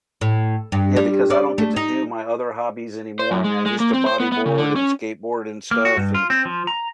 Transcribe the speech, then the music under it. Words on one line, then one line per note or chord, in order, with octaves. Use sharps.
Yeah, because I don't get to do my other hobbies anymore. I mean, I used to bodyboard and skateboard and stuff, and,
A2
G2
G3
D5
A3
D#4
C5
F#2
G#3
G#3
A#3
C4
C5
B3
B3
C#3
D3
C#4
A#3
F#4
G2
F4
C4
F3
A#5